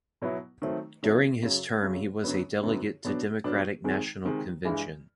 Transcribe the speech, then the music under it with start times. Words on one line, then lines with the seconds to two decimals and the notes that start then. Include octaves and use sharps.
During his term he was a delegate to Democratic National Convention.
0.22 B2 F#3 B3 E4
0.62 D#3 F#3 A3 C4
1.03 D#3 F#3 A3 C4
1.42 F#2 C#3 F#3
1.82 F#2 C#3 F#3
2.24 F#2 D3 F#3 B3
2.63 F#2 D3 F#3 B3
3.04 B2 F#3 B3 D4
3.44 B2 F#3 B3 D4
3.84 C3 D#3 G#3
4.25 C3 D#3 G#3
4.65 G2 E3 G#3